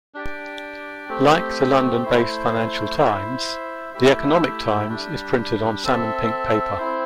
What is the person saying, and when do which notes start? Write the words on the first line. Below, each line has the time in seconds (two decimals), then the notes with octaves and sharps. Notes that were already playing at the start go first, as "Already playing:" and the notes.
Like the London-based "Financial Times", "The Economic Times" is printed on salmon pink paper.
0.14 D4 G4 D5
1.09 A3 C4 G4
2.04 A3 E4 C5
2.99 E4 C5 E5
3.94 A3 E4 G4 E5
4.88 G3 D4 G4
5.83 C4 A4 E5
6.78 C4 E4 C5